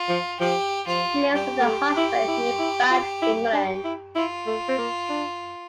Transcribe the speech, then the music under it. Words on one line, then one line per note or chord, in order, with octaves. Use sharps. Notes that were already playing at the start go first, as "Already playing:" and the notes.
She lives with her husband near Bath, England.
Already playing: F4
F3
F3 G4
F3 F4
G3 G4
A#3
A3
E4
E4
E4
F4
E4
D4
E4
E4 F4
A3
C4
A#3
D4